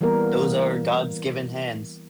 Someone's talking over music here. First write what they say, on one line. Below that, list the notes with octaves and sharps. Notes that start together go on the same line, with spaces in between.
Those are God's given hands.
E3 G3 A#3 B3 A#4
E3